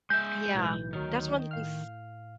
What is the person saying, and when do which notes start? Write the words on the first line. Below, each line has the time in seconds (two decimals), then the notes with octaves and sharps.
Yeah, that's one of these
0.10 G#3 E5 G6
0.54 B1 A2 E3
0.93 D2 D#3 F#3 F6
1.51 A2 F5 F6